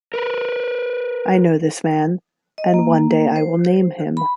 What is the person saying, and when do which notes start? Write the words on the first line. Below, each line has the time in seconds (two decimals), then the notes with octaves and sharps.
I know this man, and one day I will name him.
0.14 A#4 B4
2.58 D#5
2.74 A#3
3.36 C5
4.17 B5